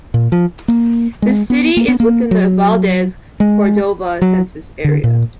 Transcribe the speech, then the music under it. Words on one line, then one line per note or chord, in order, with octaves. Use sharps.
The city is within the Valdez-Cordova Census Area.
A#2
F3
A#3
G#3
B3
A#3
B3
A#3
F#3
G#3
F#3
D3
A#2